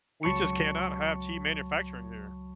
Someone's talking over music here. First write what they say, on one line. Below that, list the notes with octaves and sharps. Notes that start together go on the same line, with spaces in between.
We just cannot have cheap manufacturing here.
C#2 F#3 A5 B5 C#6 C#7